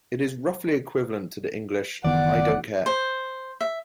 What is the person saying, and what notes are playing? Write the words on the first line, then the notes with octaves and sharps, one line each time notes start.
It is roughly equivalent to the English 'I don't care'.
F#1 D#3 E3 B3 D5 F#5
C5
E5